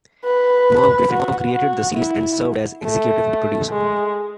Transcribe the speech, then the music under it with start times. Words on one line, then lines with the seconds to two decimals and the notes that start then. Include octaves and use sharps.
Merv Griffin created the series and served as executive producer.
0.24 B4
1.11 F#4
1.54 F#4
1.97 E4
2.84 A3
3.71 G#3